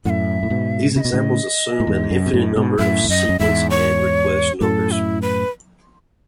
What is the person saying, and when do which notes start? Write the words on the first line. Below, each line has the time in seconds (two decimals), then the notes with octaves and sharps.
These examples assume an infinite number of sequence and request numbers.
0.05 F#2 A2 E5 F#5
0.43 A2
0.50 G#2 B2
0.96 C#3 E5
1.00 B2 D#5
1.13 A2 C#3
1.80 A2
1.87 E2 G#2
2.11 F#2
2.26 B2
2.33 F#2 A2
2.56 G#2 B2
2.79 F#2 A2 E5
3.04 E2
3.09 F#2 D#5
3.29 F#2
3.39 E2 G#2 E5
3.70 C#5
4.61 F#2 A2 A4
4.91 E4
5.22 B4